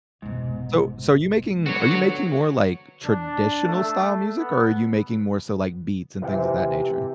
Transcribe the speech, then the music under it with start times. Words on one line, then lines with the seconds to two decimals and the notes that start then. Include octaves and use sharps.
So so are you making are you making more, like, traditional-style music, or are you making more so, like, beats and things of that nature?
0.22 F1 G#2 B2
1.66 D3 B3 F#4 C#5
3.05 D4
3.68 A3
4.38 B3
6.22 C3 E3